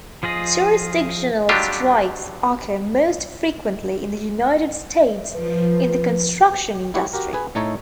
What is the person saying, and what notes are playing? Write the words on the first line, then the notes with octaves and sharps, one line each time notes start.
Jurisdictional strikes occur most frequently in the United States in the construction industry.
F3 F4 G#4 D#5
D3 F#3 G3 D4 F4 G4
F3 B4
E4 F#4 G4 C#5
F#4 G4 A#4
G#4 B4 G#5
A2 A3 D#4 A4 C#5 A#5